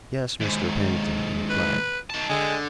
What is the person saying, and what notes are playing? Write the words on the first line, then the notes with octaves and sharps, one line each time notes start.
"Yes, Mr. Pennington," he replied.
D#2 G#2
B4
D#3 A5
D3 G#3